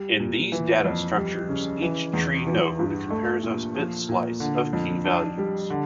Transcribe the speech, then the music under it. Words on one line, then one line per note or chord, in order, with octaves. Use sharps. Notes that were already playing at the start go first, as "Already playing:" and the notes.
In these data structures each tree node compares a bit slice of key values.
Already playing: G3
A#2
E3
F2
G3
C#3
E3
E2
E3
G2
A3
A#2
F3
A#2
D3
F2
D4
G3
D3